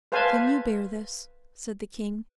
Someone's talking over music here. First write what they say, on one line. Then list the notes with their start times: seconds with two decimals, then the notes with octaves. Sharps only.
"Can you bear this?" said the king.
0.12 B4 C5 F5 G#5 A5